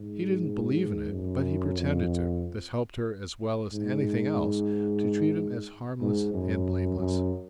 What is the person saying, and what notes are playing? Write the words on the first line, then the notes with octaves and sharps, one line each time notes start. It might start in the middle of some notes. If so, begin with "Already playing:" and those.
He didn't believe in it, but he pretended to; this helped her as well as anything else to treat him as harmless and blameless.
Already playing: G#2
F#2
F2
G#2
G#2
F#2
F#2